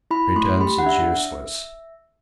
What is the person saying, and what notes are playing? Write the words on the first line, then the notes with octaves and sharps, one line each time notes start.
Pretence is useless.
E4 B5
A3 C6
G4 B5
F#5
D4 E5